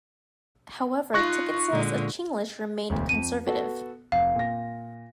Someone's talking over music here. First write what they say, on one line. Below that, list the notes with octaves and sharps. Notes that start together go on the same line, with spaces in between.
However, ticket sales of "Chinglish" remained conservative.
D#4 F4 C#6 F#6 A#6
A#2 D3 G#3
E1 D2
F2 D#7
B3 F#4 A4
F1 F5
A#2 A#6